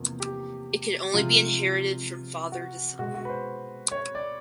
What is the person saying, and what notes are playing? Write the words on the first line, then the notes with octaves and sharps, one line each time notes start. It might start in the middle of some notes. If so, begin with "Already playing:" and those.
It could only be inherited from father to son.
Already playing: E2 C3 F3 A#3
G4
C3 F3 G#3 F4
F#4
B2 G#3 F#4
F#4
B4
C5
C#5
D5